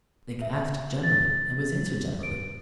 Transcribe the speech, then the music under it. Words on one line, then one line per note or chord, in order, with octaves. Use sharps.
Link asked generally, and was answered generally.
E5
A6
D7